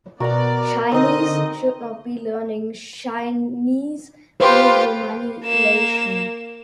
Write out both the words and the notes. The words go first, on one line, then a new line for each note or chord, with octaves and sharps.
Chinese should not be learning Chinese through Romanization.
B2 B3 F#4 A#4 D5 A#5
D3 C4 D#4 D#5
F4 G4 B4 C5
A#3 E7